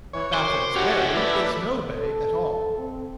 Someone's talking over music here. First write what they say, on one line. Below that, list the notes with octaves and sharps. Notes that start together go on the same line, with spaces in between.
Baffin's Bay is no bay at all.
E3 C#5
F#2 C5 D6
C#4 E4 F#4 G4
A3 B4 D5
A4
C4